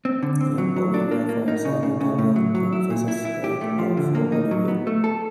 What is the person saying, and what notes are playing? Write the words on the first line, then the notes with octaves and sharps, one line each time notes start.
When Olivia finds her Natalia confesses her love for Olivia.
C4
D3
C4
F#3
F#3
D4
A#3
A#3
D#4
C#3
C#3
C#3
A2
F#3
F#3
E4
A#2
E4
E4
G4
A3
F3
D3
A#3
D#4
F#3
B3
A3
A4